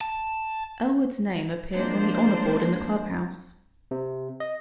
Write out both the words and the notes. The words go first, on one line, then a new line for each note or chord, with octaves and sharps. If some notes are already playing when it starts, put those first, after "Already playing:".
Ellwood's name appears on the honour board in the clubhouse.
A5
F3 G#3 A#3 C4 D4 C5
C3
D#5